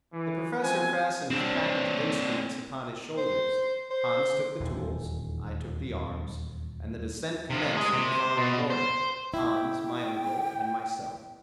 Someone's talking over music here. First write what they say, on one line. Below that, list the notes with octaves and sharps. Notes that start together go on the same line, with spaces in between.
The Professor fastened his package of instruments upon his shoulders; Hans took the tools; I took the arms: and the descent commenced in the following order; Hans, my uncle, and myself.
E3
F3 C4 G#5
C4 D4
C5
C5
D#1 E2
C3 F3
G#3 G#4
C3
C5
B2
C5
E4 G5